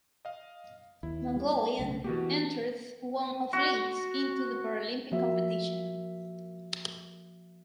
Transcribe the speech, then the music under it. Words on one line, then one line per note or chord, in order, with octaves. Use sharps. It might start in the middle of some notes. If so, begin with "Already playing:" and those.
Mongolia entered one athletes into the Paralympic competition.
D#5 F5
D#2 E4
G3
B1 C#3 A3
B2 E3 A#3 F#4 G4
F#4
F3 A#3 F#4 E5